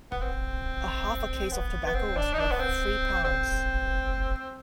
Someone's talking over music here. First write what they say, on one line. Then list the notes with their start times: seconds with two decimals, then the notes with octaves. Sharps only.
A half a case of tobacco was worth three pounds.
0.11 B3
0.21 C4
1.52 B3
1.86 B3
1.94 C4
2.17 D4
2.33 D#4
2.39 D4
2.52 B3
2.59 C4
3.24 C4